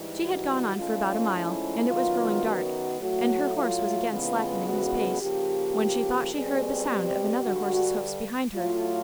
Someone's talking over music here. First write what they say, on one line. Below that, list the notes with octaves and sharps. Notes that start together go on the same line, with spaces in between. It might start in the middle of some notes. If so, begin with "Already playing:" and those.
She had gone on for about a mile, and it was growing dark, and her horse was again slackening his pace, when she thought she heard the sound of another horse's hoofs behind her.
Already playing: G#2 E3 G3
F#4
G#2 F3 A3 C#4 F4
E4
F#2 D#3 F#3 B3 F4
F#4
A2 F#3 A3 F#4
F4
F2 C#3 E3 G#3 B3 F4
F#4
C#3 F3 A#3 G4
B2 G3 C4 G#4
G4
G2 D3 G3 F#4
A2 F#3 A3 F4